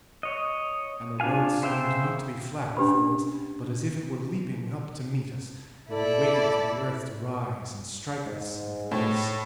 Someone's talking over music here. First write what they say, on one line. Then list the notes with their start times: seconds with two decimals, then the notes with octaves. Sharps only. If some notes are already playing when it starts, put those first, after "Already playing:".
And the road seemed not to be flat before us, but as if it were leaping up to meet us, and we waited for the earth to rise and strike us in the face.
0.23 C#5 D#5
1.20 D4 F4 F5 G#5
1.62 C#3 C5 E5 F5 G5
2.77 C#4 D4 G4 B4 B5
5.91 E4 A4 D5
8.27 G#2
8.91 A2